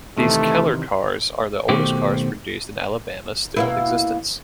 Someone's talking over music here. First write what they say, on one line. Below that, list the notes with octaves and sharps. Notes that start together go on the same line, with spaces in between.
These Keller cars are the oldest cars produced in Alabama still in existence.
C3 D#3 E3 A3
B2 D#3 A3 C4 F#4 G4
B2 A#3 E4